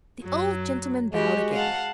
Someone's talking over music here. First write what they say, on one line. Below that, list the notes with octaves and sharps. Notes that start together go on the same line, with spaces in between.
The old gentleman bowed again.
F#2 F#3
G#3 F#4 G4
F5 F#5 A5